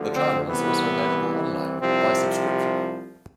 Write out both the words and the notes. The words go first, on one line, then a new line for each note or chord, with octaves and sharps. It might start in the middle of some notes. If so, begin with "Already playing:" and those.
The journal is also available online by subscription.
Already playing: D2 D3 F3
C4
C2 C3 E3 B3
C2 C3 F3 C4